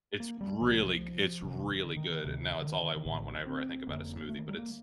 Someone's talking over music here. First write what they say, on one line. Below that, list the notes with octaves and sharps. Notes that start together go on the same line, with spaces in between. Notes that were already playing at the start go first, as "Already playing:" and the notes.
It's really g it's really good, and now it's all I want whenever I think about a smoothie, but it's
A#3
G3
C2 C3 F3
F1 F2 C3 D#3
D3
D#3
D#3
D2 C3 D#3
D3
D#3
D#3
A#1 A2 D3
C4
F1 F2 D3 A#3
A3
D#3
G3
A#3